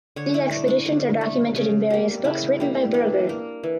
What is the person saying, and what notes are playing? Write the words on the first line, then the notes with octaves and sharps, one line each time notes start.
These expeditions are documented in various books written by Burger.
D3 C#5
E4
A3 D4
D4
D3
A3
C#3
G3 A#3
C#3 E4
G3 A#3
E3 D4
A#3
E3